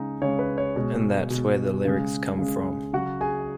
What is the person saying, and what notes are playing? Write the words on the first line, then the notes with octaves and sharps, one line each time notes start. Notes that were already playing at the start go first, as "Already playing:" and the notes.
And that's where the lyrics come from.
Already playing: C#3 G#3 D#4
C#3 G#3 C#5
B4
C#5
B2 G#3 C#5
B2 G#3
C#3 G#3
C#3 G#3
C#3 F#3 F#4 F#5
G#4 G#5